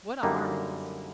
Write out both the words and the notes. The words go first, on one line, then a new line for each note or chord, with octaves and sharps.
What a harmonist!
F#2 D3 G3 A#3 D#4